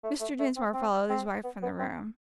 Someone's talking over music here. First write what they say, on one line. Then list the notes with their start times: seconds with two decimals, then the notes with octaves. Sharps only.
Mr. Dinsmore followed his wife from the room.
0.04 A3
0.21 A3
0.39 A3
0.57 C4
0.74 C4
1.10 C4
1.44 B3
1.63 B3
1.79 C4